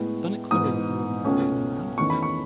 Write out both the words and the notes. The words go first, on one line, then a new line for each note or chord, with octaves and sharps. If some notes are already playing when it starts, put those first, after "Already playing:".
"Done it cleverly," he remarked, looking round.
Already playing: A2 G#3 B3
G#2 E3 B3 D#6
C#2 B2 A3 C#4
E2 D#3 A3 C#4 C#6
B5
C#6